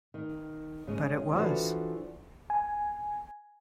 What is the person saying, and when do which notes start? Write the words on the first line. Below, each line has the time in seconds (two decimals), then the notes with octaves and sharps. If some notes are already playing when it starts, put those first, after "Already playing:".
But it was.
0.14 D#3
0.87 C#3 G#3 C#4
1.35 E3 F3 D4 F4 F#4 A4
2.50 G#5